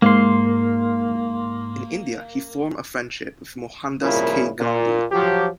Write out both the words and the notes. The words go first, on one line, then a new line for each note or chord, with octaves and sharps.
In India he formed a friendship with Mohandas K. Gandhi.
G#2 A#3 C6
C2 A#2 C#3 F3 E4 A#4
A#2
F3 F#3 G4